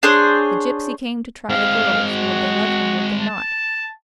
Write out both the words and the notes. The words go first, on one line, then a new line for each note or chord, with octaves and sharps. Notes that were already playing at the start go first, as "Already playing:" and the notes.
The gypsy came to try the girls: Would they love him, would they not?
D4 G#4 C5 C#5
G#3 C4 F5
F#4
A5